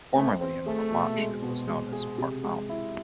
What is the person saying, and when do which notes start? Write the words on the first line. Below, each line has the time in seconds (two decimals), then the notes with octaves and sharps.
Formerly in Romansh it was known as "Parpaun".
0.15 A3 C4
0.41 C4
0.66 A3 G#4
0.91 B2
1.17 G#3
1.42 B2
1.67 G#3
1.92 G#4
2.18 C3
2.44 G#3
2.69 E4